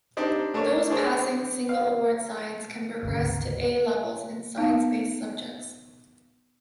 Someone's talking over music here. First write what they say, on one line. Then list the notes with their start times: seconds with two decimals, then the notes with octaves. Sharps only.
Those passing single award science can progress to A Levels in science-based subjects.
0.17 C4 D4 D#4 G4 C5
0.54 A3 D4 A#4 C#5
0.90 D4 G#4 C5 C#5
1.69 F5
3.03 G#1 D2 C#3
4.58 B3 D#4 F5 A5